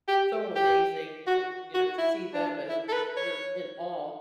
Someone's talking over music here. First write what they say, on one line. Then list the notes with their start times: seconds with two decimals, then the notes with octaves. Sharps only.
so amazing, and, you know, to see them as just you're in awe.
0.08 G4
0.56 G4
1.27 F#4
1.75 F#4
1.98 E4
2.34 D4
2.69 E4
2.89 A4
2.93 B4
3.17 C#5